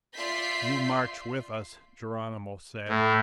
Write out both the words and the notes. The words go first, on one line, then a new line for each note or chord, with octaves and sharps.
"You march with us," Geronimo said.
F4 D5 E5 C6 G6 B6
A2